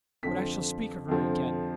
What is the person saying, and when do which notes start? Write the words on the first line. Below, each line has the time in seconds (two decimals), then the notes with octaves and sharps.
But I shall speak of her again.
0.23 F2 D3 F3 B6
1.08 F2 D3 F3